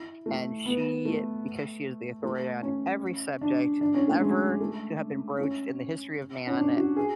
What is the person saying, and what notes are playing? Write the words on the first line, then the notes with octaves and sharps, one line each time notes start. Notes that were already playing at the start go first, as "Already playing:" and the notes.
and she- because she is the authority on every subject ever to have been broached in the history of man, eh,
Already playing: E4
A3
B3
A3
A3
C#4
D4
D4
C#4
A3
G#3
A3
C#4
C#4
D4
F#4
G#4